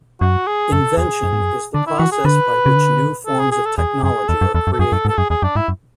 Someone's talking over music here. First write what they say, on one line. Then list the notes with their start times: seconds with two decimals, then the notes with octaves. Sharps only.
"Invention" is the process by which new forms of technology are created.
0.21 F#2 F#4
0.47 G#4
0.72 F#2 A4
0.97 E2 G#4
1.23 F#2
1.33 G#2
1.41 F#2
1.74 D3 D4
1.86 E4
1.99 E3 F#4
2.12 G#4
2.25 D3 B4
2.66 C#3
2.76 D3
3.26 A4
3.39 G#4
3.52 G#4
3.65 A4
3.78 E2 G#4
4.03 F#2 G#4
4.28 E2 A4
4.41 F#2
4.54 E2 A4
4.67 F#2
4.73 A4
4.79 F#2 G#4
4.92 F#2 A4
5.05 G#2
5.09 A4
5.18 F#2 G#4
5.30 E2 G#4
5.42 F#2 D4
5.56 G#2 E4
5.68 F#2